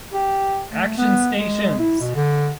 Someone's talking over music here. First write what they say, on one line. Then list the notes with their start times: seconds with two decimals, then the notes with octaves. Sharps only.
Action Stations!
0.14 G4
0.72 A3
0.98 B3
1.37 G#3
1.79 E4
2.01 B2
2.15 D3